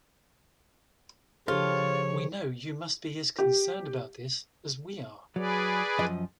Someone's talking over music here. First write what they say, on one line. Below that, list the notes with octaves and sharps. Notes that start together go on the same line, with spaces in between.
We know you must be as concerned about this as we are...
C#3 F3 D4 F4 G4 A4 C#5
G4
F#3 G#4 B4 D5
F#2 F3 D#5